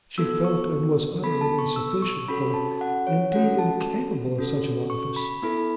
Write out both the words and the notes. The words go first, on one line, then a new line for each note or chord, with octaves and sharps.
She felt, and was, utterly insufficient for--indeed, incapable of such an office.
B3 F#4 A4 E6
C#6
B3 A4 B5
A5
C#6
E6
C#6
C#4 F#4 A4 B5
A5
F#5
C#5
C#4 F#4 A4 F#5
A5
C#4 F#4 A4
C#6
B5
B3 E4 A4 B5